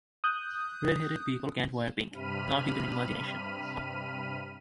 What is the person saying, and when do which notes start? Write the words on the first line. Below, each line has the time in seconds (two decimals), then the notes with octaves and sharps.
Redheaded people can’t wear pink, not even in imagination.
0.24 D#6 F#6 G6
2.11 G2 C3 B5 F6 D#7